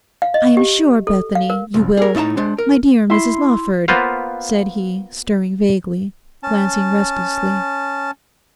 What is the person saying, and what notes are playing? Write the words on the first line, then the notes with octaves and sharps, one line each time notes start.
'I am sure, Bethany, you will--My dear Mrs Lawford!' said he, stirring vaguely, glancing restlessly.
F5
D#5
G4
A4
F5
A#4
C2 F#2
G#4 A#4
A2 D#4 E5 A5 A#5
G#3 D4 C5
A#4
E4 C6
A#3 B3 F4 B4 C5 F5
C#4 A5